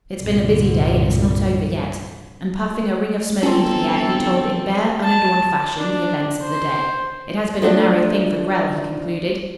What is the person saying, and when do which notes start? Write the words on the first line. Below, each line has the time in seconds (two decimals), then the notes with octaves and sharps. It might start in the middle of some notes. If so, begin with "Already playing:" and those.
"It's been a busy day, and it's not over yet." And, puffing a ring of smoke into the air, he told in bare, unadorned fashion the events of the day. "It has been a narrow thing for Grell," he concluded.
0.18 C2 G2 A#2 D3
3.43 G1 C4 C#4 F4 A4
5.03 A5
5.78 D4
6.41 C5
7.62 F3 A3 D4